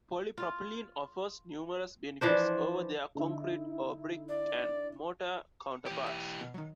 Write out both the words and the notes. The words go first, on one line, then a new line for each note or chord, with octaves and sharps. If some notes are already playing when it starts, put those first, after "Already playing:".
Polypropylene offers numerous benefits over their concrete or brick and mortar counterparts.
F4
E3 F3 D4 C5
D3 D#4 E4
D5
E3 G4 C#5
E5
B2
D#3 F#3